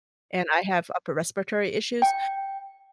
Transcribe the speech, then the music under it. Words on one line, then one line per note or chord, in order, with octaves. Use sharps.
and I have upper respiratory issues,
G5